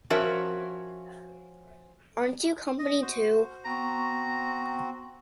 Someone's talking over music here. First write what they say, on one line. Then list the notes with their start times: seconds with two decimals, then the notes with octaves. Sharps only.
Aren't you company too?
0.10 F3 C#4 F#4 A#4 C#5 E5
2.79 D#5
3.02 F#4 C5
3.65 B3 C4 F#4 A#5 C#6